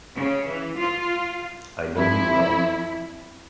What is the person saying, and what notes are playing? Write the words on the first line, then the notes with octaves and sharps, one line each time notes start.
I know he will!
C#3
E3
F4
F2 E4